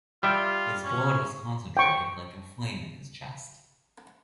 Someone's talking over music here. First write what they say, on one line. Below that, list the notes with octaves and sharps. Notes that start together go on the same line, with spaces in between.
His blood was concentrated like a flame in his chest.
G3 F4 E5 G5
C#4 C#6
G5 C#6